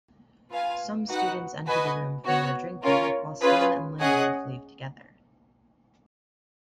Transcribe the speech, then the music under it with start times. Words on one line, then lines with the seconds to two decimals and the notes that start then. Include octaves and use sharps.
Some students enter the room for more drinking, while Stella and Lindorf leave together.
0.50 F4 B4 F5 G#5
1.09 D#4 F#4 B4 F#5
1.67 F#4 B4 D#5 G#5
2.25 B3 F#4 C#5 F#5
2.83 C#4 F4 A#4 C#5
3.41 C#4 F4 G#4 B4
3.99 C#4 G#4 D#5 F#5